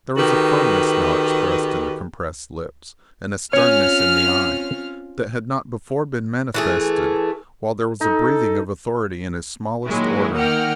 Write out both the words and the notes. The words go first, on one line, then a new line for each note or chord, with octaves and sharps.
There was a firmness now expressed in the compressed lips, and a sternness in the eye, that had not before been manifested, while there was a breathing of authority in his smallest order.
D#3 F#4 G4 A4 B4
C4 C#4 F4 C#5 G#5 F6
E3 A3 G#4
D#4 A4
A#2 D#3 F#3 G#3 E4
D#3 A#3 F#5 G5 F6